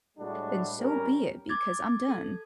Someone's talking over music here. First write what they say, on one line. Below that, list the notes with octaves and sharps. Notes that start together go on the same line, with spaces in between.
then so be it, because I'm done.
A2 G3 G#3 D4 F#4
G#1 G3 C#4 A#4
D6 G#6 A6
A4 G#6